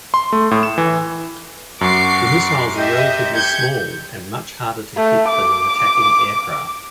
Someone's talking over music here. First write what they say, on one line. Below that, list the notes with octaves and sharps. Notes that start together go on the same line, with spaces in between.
The missiles were relatively small and much harder to hit than an attacking aircraft.
C6
A3
A2
E7
E3
F#2 F#4 C#6 D6 C7
G4 D#5 E5
G4 G6 G#6 C#7
A3
D6